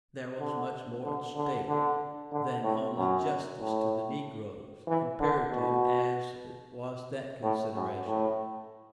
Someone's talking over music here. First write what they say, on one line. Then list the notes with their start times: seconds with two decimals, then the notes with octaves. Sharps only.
There was much more at stake than only justice to the negroes, imperative as was that consideration.
0.40 D3
1.05 D3
1.36 D3
1.69 D3
2.32 D3
2.64 A2
2.96 F#2
3.60 A2
4.87 E3
5.20 D3
5.51 B2
7.43 A2
7.75 F#2
8.07 A2